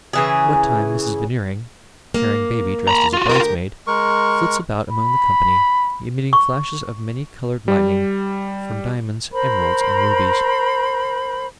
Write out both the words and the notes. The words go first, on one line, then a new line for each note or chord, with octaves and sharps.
What time Mrs Veneering, carrying baby dressed as a bridesmaid, flits about among the company, emitting flashes of many-coloured lightning from diamonds, emeralds, and rubies.
C#3 E3 G#4
A#3
A#5 B5
F4 F#4
D2 G4 A#4
G#3 A#4 C#6
B5
C#6
G3
A#4 C5 B5 C6